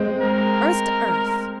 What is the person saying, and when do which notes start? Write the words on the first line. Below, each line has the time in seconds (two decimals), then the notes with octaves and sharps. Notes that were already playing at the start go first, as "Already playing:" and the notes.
Earth to earth!
Already playing: G#3 C4
0.21 A#4